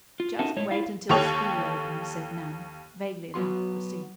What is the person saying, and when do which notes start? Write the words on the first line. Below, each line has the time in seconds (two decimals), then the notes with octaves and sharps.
"Just wait until school opens," said Nan--vaguely enough, it would seem.
0.20 F4
0.39 C#4 D#4 F#4 A4 A#4 E5
0.56 A2 G#3 C#5
0.71 E4 F4 F5
1.09 D#2 G4 A4 C#5 C#6 F7
3.34 F#3 B3 F#4 C6